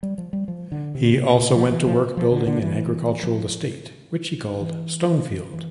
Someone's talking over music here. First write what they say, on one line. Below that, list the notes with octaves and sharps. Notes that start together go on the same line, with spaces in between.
He also went to work building an agricultural estate, which he called Stonefield.
G3
F3
G3
F3
D3
C3
D3
C3
A#2
F3
E3
F3
F3
D3
D3
E3
F3
E3
E3